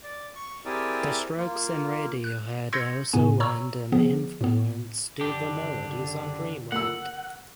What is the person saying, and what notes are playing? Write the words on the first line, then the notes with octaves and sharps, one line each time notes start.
The Strokes and Radiohead also lend an influence to the melodies on "Dreamland".
D5
C#6
C4 E4 G4 G#4 A#4 D5
A#3 F4
F#6
C6 E6 G6 G#6 A#6 C#7
A2 C#3 B3 G#5
C#5 A#5 C#6 E6
D3 F3 B3 G#4
A2 B3
F#1 D3 D4 G4
A#3 F#5 E6